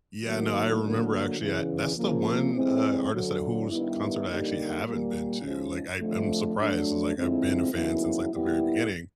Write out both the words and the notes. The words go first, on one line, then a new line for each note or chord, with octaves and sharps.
yeah, no, I remember actually, I that's the one, uh, artist that whose concert I actually haven't been to, like, I I'm surprised, 'cause, like, I've been a fan since, like, the very beginning,
D#3 F#3 A#3
D3 F#3 A#3
E2 C#3 E3
C#3 F3 A#3
A2 E3 G#3 C4
D2 D3 F#3
G2 D#3 G3 B3 E4
D3 G3 A#3 D#4 G4
A#2 G3 A#3
G#2 F3 G#3 C#4
F2 D3 F3 A3
F#3 A3 D4
D3 F3 G#3 C4 E4
D#2 C#3 F#3 B3 E4
A#2 G3 B3 E4 G4